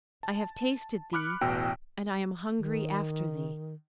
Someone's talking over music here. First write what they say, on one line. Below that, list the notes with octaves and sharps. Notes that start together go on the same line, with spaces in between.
I have tasted Thee, and I am hungry after Thee.
A5
B5 D6 F6 F#6 C#7
A1 E2 B2 G5 E6 D7
D#3